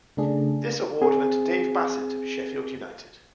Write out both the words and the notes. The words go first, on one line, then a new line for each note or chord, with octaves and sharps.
This award went to Dave Bassett of Sheffield United.
C#3 A3 D4 G#4
C4 G#4